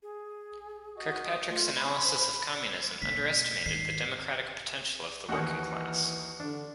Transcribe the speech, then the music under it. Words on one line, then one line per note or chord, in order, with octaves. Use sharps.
Kirkpatrick's analysis of communism underestimated the democratic potential of the working class.
G#4
F#4 D#5
A3 F4
C5 B5
E1 A#3 B6
G#2 D#3 C7
D#2 D#3 E3 F#4 F#5
D3 D4